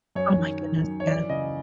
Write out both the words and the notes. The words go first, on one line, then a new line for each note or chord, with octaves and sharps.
Oh, my goodness, yes.
F#2 C#5
D#3
D#3
F#2
C#5
E3 D5
C#3 D#5